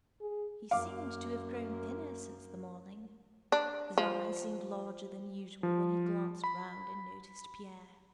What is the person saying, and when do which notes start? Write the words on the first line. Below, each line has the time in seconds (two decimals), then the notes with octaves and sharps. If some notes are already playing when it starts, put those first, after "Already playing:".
He seemed to have grown thinner since the morning; his eyes seemed larger than usual when he glanced round and noticed Pierre.
0.21 G#4
0.71 F#2 A#3 F5 D6
3.52 D4
3.98 F3
5.63 F3
6.44 B5